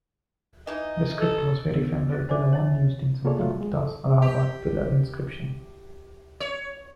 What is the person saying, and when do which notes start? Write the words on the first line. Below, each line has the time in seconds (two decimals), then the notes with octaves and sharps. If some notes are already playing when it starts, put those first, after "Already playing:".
The script was very similar to the one used in Samudragupta's Allahabad Pillar inscription.
0.67 E3 D#4 D#5
1.20 A4
1.73 B3 E6 A6
2.12 G4 F#6 A6
2.29 C5 D5 E5 G#5 D6
2.53 C#5 A6
3.25 A#3 F4 G#4 A4 C#5 D5
3.39 F#3 G3 A3 F4
3.61 G#3
3.74 A4
4.22 G4
6.40 C#5